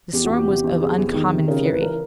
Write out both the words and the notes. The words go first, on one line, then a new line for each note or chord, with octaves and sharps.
The storm was of uncommon fury.
E2 G4
F#4
E2
G4
C3
E2
C3 G#4
E2
D#3
C3
C#3 A#4
E3 B4
E3 A#4